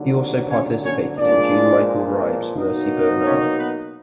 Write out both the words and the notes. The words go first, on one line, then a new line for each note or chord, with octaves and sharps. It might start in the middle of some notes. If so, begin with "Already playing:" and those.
He also participated in Jean-Michel Ribes' "Merci Bernard".
Already playing: D#2 D3 F#3
C#4 C#5
C#4 C#5
A#2 F3 G#3 D4 D5
B2 F#3 A#3 D#4
C#4 C#5
B3 B4